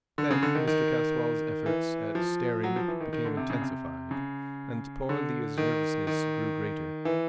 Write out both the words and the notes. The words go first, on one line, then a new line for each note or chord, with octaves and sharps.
Then Mr. Caswall's efforts at staring became intensified, and poor Lilla's nervousness grew greater.
D3
C#3
D3
D#3
D#3
E3
F3
F#3
F3
E3
D#3
D#3
D3
C3
C#3
C3
C#3
D3
D#3
D#3
E3